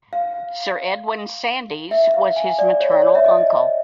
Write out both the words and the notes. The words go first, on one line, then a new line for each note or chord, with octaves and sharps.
Sir Edwin Sandys was his maternal uncle.
F5
E5
F5
G#5
D5
C#5
D5
C#5
E5
D#5